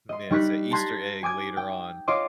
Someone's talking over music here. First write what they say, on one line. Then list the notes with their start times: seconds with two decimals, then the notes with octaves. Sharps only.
Yeah. It's a Easter egg later on.
0.09 D#5 C6
0.30 G3 D#4 C#6 F#6 B6
0.71 A5 A#5 C6 F#6 G#6 B6
1.23 G#5 D6 D#6 G#6
1.57 G5
2.08 F4 C#5 D#5 C6 D6